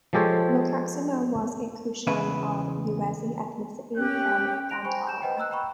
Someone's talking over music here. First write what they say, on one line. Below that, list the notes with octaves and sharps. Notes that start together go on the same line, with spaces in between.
Lokaksema was a Kushan of Yuezhi ethnicity from Gandhara.
F3 G#3 G4 A4 C5 C#5
E2 C#3 B4 E5
C#4 G4 G5 F#6
C6 F#6 A#6 D7 F7
C5 G5 G#5 B5 C#6
G6 E7
B4 C5 D#5 F#5 G5
D#5 A#5 E6 F#6
G5 A#5 B5 C#6